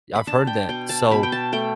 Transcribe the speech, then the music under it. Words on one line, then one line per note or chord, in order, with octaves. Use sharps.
I've heard that, so,
B5
D4 A5
G5
B2 G5
A5
B2 B5
G5
A5
A3 G5